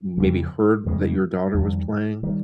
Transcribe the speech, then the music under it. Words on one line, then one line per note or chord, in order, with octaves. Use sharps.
maybe heard that your daughter was playing.
F2 C#3 G#3
F2 C#3 G#3
F2 D#3 G3
D#3 G3